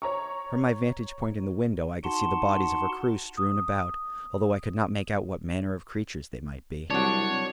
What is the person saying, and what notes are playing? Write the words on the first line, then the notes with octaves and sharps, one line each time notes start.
From my vantage point in the window I could see the bodies of her crew strewn about, although I could not make out what manner of creatures they might be.
C#5 A#5 C#6
D#4 F#4 F#5 A5 C6
D#6
C2 F#3 D4 C#5